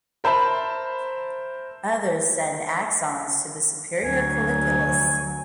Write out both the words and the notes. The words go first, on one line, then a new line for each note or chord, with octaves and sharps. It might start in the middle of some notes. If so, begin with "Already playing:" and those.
Others send axons to the superior colliculus.
A#4 C5 E5 A5 B5
D2 F#3 G#5